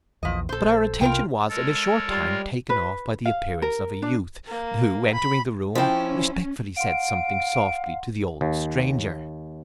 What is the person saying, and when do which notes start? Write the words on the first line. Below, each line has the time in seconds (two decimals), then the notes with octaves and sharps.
But our attention was in a short time taken off by the appearance of a youth, who, entering the room, respectfully said something softly to the old stranger.
0.23 A#1 E2 F3 D#5
0.49 A#1 A4 C5
1.01 C2 C3 F4 A#4 G5
1.50 G#3 A4 A#4 C#5
2.09 G3 F4
2.70 B4
3.26 F5
3.62 A#4
4.02 D4
4.49 A#3
5.13 B5
5.75 F3 C4 C#4 E4 G5
6.76 F5 F#5 C6 D7
8.41 D#2